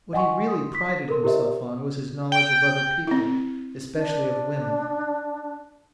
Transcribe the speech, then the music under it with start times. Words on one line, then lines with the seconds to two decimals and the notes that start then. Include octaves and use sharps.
What he really prided himself on was his knowledge of other people, especially of women.
0.13 D#5 F#5 G#5 C6 C#6
0.48 C6 D#6
0.75 B6
1.08 A4 A#4 C6
1.23 E4 G4 A#4 C5 D#5 E5
2.32 G5
3.07 C4 E4
3.94 D4